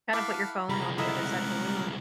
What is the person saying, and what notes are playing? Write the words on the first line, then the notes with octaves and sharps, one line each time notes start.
kinda put your phone on the other side of the room.
E4 A4 F5 F#5 D6
C2 G#3 A#5 B5
E4 A4 A#4 D#5 F#5